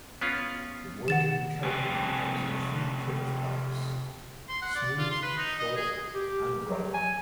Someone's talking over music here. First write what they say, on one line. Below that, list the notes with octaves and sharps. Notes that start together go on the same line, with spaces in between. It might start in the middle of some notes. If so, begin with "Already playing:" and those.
The Working Kelpie comes in three coat types: smooth, short, and rough.
B3 C#4 F4
D#3 F#5 A6 E7
C3 F3 B4 G5 G#5
C6
F#5
D5
F4
C6
B4
D#4
D#5
G#4
G4
F#3
G#5